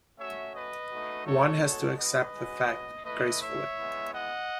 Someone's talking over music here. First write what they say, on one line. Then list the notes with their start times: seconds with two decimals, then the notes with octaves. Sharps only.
One has to accept the fact, gracefully.
0.18 A3 C#4 F#4 C#5 E5
0.53 B4 D#5
0.90 A3 D#4 F#4
1.25 A4 C#5
1.61 G#3 B3 D#4 F#4 A4 C#5
1.97 B4 D#5
2.33 G#3 C#4 F#4
3.05 A3 E4 B4 D#5
3.40 C#5 E5
3.77 G#3 B3 E4
4.12 D#5 F#5